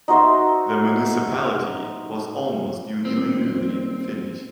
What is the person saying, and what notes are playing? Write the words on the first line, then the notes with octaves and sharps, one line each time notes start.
The municipality was almost unilingually Finnish.
D#4 F#4 C5 E5
D#1 C4